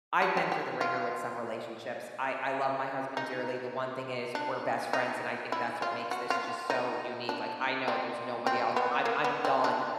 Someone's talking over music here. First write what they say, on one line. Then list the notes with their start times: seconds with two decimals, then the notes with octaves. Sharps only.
I've been through the ringer with some relationships, I I love my husband dearly, the one thing is, we're best friends, and I think that's what makes this just so unique, like, I know there's nobody else, I'm I'm done,
0.22 F#4
0.37 G4
0.52 G4
0.81 F4
3.17 D#4
4.35 D4
4.93 D#4
5.52 E4
5.82 F4
6.11 F#4
6.30 F4
6.70 D#4
7.29 D4
7.88 C4
8.46 C4
8.76 B3
9.05 A#3
9.24 B3
9.45 C4
9.64 D4